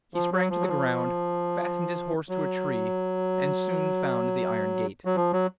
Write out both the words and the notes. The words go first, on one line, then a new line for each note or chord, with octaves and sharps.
He sprang to the ground, fastened his horse to a tree, and soon found the iron gate.
F3
F#3
F3
F#3
F3
F#3
F#3
F3
F#3